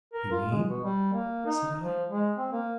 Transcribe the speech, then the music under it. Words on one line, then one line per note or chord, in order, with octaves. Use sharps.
"You mean?" said I.
A#4
F4
G#3
B2
G3
A#3
D#4
F3
G#3
C4
A#3